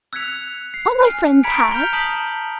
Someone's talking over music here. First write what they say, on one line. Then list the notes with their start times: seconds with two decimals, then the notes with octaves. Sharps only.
All my friends have.
0.13 E6 F#6 G#6 B6 C#7 F7
0.74 C7
1.01 G#5 F6 C7
1.43 A#5 B5 G#6 B6 C#7 D7
1.72 F6 G6 F7 G7
1.93 A5 D#6 B6 F#7